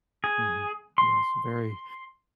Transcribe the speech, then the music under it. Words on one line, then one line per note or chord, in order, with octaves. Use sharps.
Mhm, yes, very,
G#4
C6